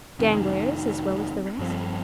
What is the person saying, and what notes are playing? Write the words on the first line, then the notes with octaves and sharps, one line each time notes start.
"Danglars, as well as the rest?"
F2 C3 D#3
G2 F3 C4